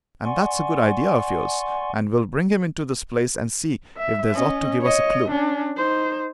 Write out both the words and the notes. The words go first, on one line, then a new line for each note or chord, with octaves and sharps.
And that's a good idea of yours, and we'll bring him into this place and see if there's aught to give us a clue.
D5 F#5 G#5 C6 C#6
E5
C#4 D#5
C#5 D#5
C#4 D4
D#4 C5